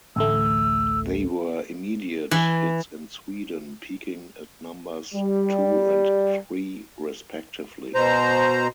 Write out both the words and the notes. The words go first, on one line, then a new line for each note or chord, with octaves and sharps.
They were immediate hits in Sweden, peaking at numbers two and three respectively.
A1 D2 A3 E6
E3
G3
B2 C5 A#5